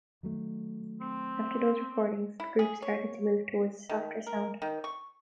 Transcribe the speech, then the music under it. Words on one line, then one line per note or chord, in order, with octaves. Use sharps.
After those recordings the group started to move towards a softer sound.
D#3 F#3 A3
C4
E4
G#4
C#5
D#3
A#4
D#3
C#6